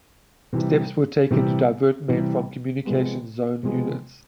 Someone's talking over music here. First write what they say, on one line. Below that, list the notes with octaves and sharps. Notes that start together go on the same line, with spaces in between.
Steps were taken to divert men from Communications Zone units.
C3 E3 G3
C3 E3 G3
C3 E3 G3
C3 F3 G#3 B3
C3 F3 G#3 B3